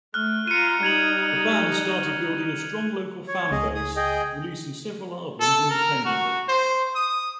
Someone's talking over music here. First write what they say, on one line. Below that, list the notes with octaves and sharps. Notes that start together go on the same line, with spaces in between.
The band started building a strong local fanbase, releasing several albums independently.
A3 F6 F#6
F4 A#5 C#7 D#7
G3 D#4 G#6 F7 F#7
C#5
C#2 G#4 D#5
G#4 D#6
G#4 D#5 G5
A4
A#4
F#4
C5
D#6